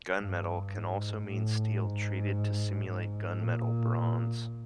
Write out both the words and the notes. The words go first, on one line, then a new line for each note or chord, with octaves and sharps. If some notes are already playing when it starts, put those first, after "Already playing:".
Gunmetal can also mean steel treated to simulate gunmetal bronze.
G2
G#2
A2
G#2
G#2
A#2